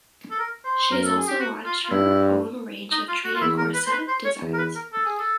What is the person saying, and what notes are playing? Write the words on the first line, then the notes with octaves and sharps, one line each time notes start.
She has also launched her own range of Training Corset designs.
A4
A#4
C5
F#2 A#4
A4
G#4
G4
F#4
F4
F4
G2 E4
D#4
F4
F#4
F4
E2 E4
A#4
B4
C5
B4
C5
C#5
E2
A#4
B4
A#4
A4
G#4
A4